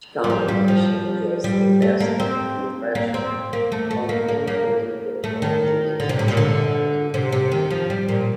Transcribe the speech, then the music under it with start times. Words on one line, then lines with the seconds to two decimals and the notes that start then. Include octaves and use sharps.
Which combination gives the best compression will depend on the individual image's properties.
0.24 G3
0.30 F3
0.48 G3
0.68 F3
1.44 G3
1.82 A3
2.00 A#3
2.20 C4
2.95 A#3
3.14 C4
3.53 A#3
3.72 A3
3.91 A3
4.09 A#3
4.28 A#3
4.48 A#3
5.24 A3
5.42 D#3
6.00 D3
6.09 C3
6.19 A2
6.28 A#2
6.37 D3
7.14 C3
7.32 C3
7.52 D#3
7.70 F3
7.90 G3
8.09 A#2